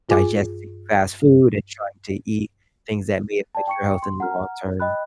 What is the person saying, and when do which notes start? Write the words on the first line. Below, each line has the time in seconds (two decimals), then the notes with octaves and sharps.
digesting fast food and trying to eat things that may affect your health in the long term.
0.09 G2 F4 G#4 G#5 D6
3.55 D5 G5 A5
3.67 G5 C#6 C#7
4.02 C6
4.20 F#5 A#5 F6
4.80 D#5 G5 B5 F#6